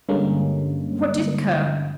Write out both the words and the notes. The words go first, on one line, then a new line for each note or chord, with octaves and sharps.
What did occur?
G2 D3 G3 G#3 A#3 C#4